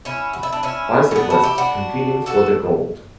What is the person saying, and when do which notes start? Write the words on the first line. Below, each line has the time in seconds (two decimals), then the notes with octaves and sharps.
Bicyclists competing for the gold.
0.05 C#4 E4
0.33 F#4
0.43 E4
0.53 D4
0.63 C#4 E4
1.11 C#4
1.16 B3 D4
1.30 F#4 A4
1.43 E4 G4
1.58 D4 F#4
2.26 F#4 A4